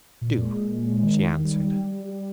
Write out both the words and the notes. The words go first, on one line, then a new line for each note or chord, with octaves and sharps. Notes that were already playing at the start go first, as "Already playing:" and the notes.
"Do," she answered.
A#2
G#3
A#2
G#3
D#3
D#3
G3
G3
G3
G3